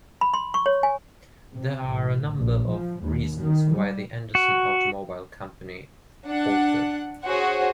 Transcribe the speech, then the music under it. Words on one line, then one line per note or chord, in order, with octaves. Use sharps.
There are a number of reasons why the Anderson Automobile Company faltered.
B5
C6
C#6
C#5
G#5
C3
A1
A#1
F3
D#2
D#3
G3
F#4
D4 F#5
F#4 G#4 C5 C#5 F#5